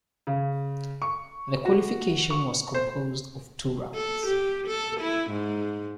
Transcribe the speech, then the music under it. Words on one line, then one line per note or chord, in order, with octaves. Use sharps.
The qualification was composed of two Rounds.
C#3
C#6
F#4
C#6
C5
A4
G4
A4
E4
G#2